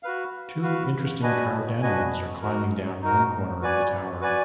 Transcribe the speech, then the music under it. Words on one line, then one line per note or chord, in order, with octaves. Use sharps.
Two interesting carved animals are climbing down one corner of the tower.
F#4 B4 F5
F#4 B4 F5
D4 F#4 B4 D#5 G#5
D4 F#4 B4 D#5 G#5
D#4 F#4 A#4
D#4 F#4 A#4
F#4 B4 D5 G#5
F#4 B4 D5 G#5